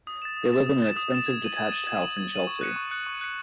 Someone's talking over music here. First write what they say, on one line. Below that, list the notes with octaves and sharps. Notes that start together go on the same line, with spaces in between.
They live in an expensive detached house in Chelsea.
D#6
A6 E7
D#6
A6 E7
D#6
A6 E7
D#6
A6 E7
G#6
D#7 F#7
G#6
D#7 F#7
G#6
D#7 F#7
G#6
D#7 F#7
C#6
F#6 C#7
C#6
F#6 C#7
C#6
F#6 C#7